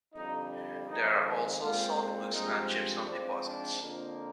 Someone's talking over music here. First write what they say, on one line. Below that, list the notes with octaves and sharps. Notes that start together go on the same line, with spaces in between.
There are also salt works and gypsum deposits.
F2 D3 G3 D#4
F2 D#3 G#3 C4 D#4
A#2 G#3 C4 F4
G2 F3 G#3 C4 D#4
G#2 F3 C4 D4
D4
F2 D3 F3 A#3